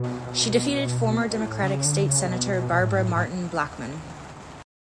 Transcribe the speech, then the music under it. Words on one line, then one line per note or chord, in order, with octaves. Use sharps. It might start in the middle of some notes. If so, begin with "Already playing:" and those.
She defeated former Democratic state Senator Barbara Martin Blackmon.
Already playing: B2
B2
A2
C#3
D3
C#3
B2
B2
A2
G#2
A2
A2